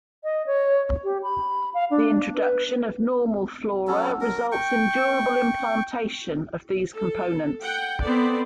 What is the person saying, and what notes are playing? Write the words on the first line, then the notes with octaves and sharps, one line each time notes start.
The introduction of normal flora results in durable implantation of these components.
D#5
C#5
G4
B5
F5
D4
B4
F#3 C#4 A4
A#4
G5 C#6
A4
F#5 G5
B3 C4 A4 D5